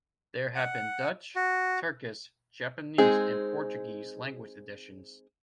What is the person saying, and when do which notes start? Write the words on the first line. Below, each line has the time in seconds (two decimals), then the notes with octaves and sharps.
There have been Dutch, Turkish, Japanese and Portuguese language editions.
0.55 F#5
1.36 F#4
2.98 G#3 C4 D#4 G#4